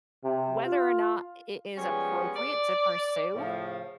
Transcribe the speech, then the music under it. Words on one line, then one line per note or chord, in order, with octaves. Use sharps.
whether or not it is appropriate to pursue,
C3
F4
F3 G3 G#3 B3 C#4
D5
A2 C#3 F3